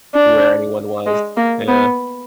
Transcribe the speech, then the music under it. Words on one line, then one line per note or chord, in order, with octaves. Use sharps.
where anyone was. Yeah.
D4
G#3
A#3
B3